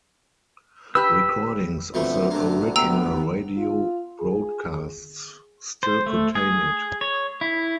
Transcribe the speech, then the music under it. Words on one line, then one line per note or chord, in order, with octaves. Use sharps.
Recordings of the original radio broadcasts still contain it.
G4 B4 E6
D2 B2 F3 A3 C4
C3 A#3 D4
B3 G5 A#5 E6
F4
G#4
C5
A3
G#4
C#5
E4